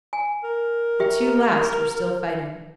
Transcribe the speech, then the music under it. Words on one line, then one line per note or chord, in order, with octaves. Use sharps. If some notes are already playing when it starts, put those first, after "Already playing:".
The two last were still fighting.
G#5
A#4
G4 E5 G5